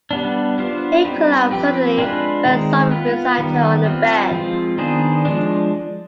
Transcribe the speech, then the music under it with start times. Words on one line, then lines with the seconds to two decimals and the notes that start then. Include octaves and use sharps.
He collapsed suddenly, fell sobbing beside her on the bed.
0.11 G3 B3 D4
0.58 B3 D4 F4 C5
1.05 G3 C4 D#4 B4
1.51 F3 C4 G4 B4
1.98 G#3 D4 F4 B4
2.45 D#3 G#3 C4
2.91 B3 F4 B4
3.38 D#3 G3 B3
3.85 C4 F4 B4
4.31 F3 G#3 C4 F4
4.78 D#3 B3 D4 G#4 C5
5.25 F3 G#3 D4